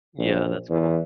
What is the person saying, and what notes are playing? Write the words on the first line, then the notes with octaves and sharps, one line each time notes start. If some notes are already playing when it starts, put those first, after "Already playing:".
Yeah, that's cool.
A#1
E2